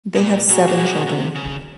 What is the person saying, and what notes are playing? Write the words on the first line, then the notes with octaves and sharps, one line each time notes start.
They have seven children.
B2
A#2
A#2 F#4 G#4
A#2
B2
C3
B2
C3
C#3